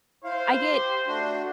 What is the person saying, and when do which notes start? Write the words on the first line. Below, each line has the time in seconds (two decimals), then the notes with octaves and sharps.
I get
0.24 E4 C5 F5
0.72 G4
1.07 A3 D4 F#4